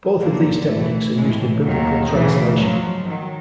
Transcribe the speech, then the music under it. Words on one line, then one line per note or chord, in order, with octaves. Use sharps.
Both of these techniques are used in biblical translation.
F#2 D3 F3 A#3
A2 E3 A3
A2 E3 G#3
D#2 D#3 F#3
D2 C#3 E3
G#2 F3 F#3
D#3 F#3